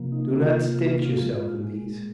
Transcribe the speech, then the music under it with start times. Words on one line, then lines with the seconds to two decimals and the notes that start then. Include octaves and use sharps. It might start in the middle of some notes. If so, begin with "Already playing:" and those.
Do not stint yourself in these.
Already playing: C3 F3 A#3
0.12 D#4
0.34 F#4
0.40 F4
1.23 A#2 G#3